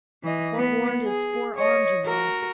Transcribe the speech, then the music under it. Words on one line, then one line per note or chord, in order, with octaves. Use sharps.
Forewarned is forearmed, you know.
E3 D#5
B3
G#4
C#5 D#5
F#4 A#4